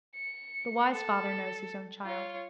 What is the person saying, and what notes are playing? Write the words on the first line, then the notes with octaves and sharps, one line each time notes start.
The wise father knows his own child.
C#7
A4
F4 C#5